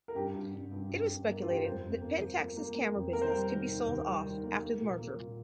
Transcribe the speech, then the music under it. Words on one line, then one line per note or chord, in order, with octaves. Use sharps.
It was speculated that Pentax's camera business could be sold off after the merger.
A#4
G2 G4
G2
G2
G2
G2
G2
A#3
F4
G2 G4
A#4
F2 C5
F2
A#3
F3
A#3
A#3
A#3
F2
A#3 A#4
C5
G3 A#4
D#3
D#2
D#2
G3
D#3
A#3
A#3
A#2
A#3
A#2